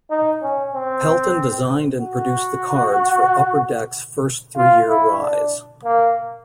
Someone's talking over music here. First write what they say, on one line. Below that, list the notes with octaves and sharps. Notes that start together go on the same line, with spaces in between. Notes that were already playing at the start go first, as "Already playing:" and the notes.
Pelton designed and produced the cards for Upper Decks first three-year rise.
D#4
C#4
C4
F#4
F4
E4
D4
A#3